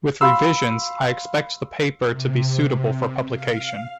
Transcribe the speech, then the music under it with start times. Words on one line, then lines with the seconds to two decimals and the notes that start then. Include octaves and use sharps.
With revisions I expect the paper to be suitable for publication.
0.21 F5 B5 C6 E6
2.10 C3
3.33 F5